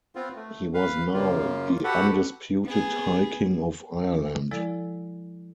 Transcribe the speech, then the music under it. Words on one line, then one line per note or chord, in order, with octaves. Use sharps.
He was now the undisputed High King of Ireland.
B3 C4 F4
A3
B4 F5
F#2 C#3 A#3 F4
F#4 G4 A4 B4 F#5
B3 G#4
F3 G#3 E4 A4 D5